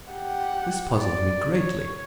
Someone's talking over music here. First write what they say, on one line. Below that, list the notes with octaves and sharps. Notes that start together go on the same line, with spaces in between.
This puzzled me greatly.
G4 F#5
D5
C#5